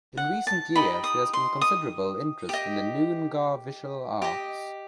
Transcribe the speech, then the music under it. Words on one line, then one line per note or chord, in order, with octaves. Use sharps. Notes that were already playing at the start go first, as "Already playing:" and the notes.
In recent years there has been considerable interest in Noongar visual arts.
F#5
A5
D#4 G4 D#5 B5
D#6
C6
D#6
G4 D#5
G4 D#5